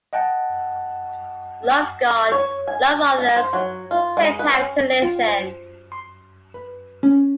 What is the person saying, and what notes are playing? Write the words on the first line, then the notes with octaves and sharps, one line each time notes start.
Love God, Love Others, Take Time to Listen.
D#5 F#5 G5 A5
C#5
G#5
A#5
C5
F#3
F4
G#3
B4
C#4
F4
C5
C6
B4
C#4